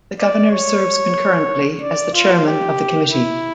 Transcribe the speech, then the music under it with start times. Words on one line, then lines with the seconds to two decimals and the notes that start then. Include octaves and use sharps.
The Governor serves concurrently as the Chairman of the Committee.
0.19 D5
0.51 C#5
1.80 D5
2.13 F4
2.46 G4
3.10 E4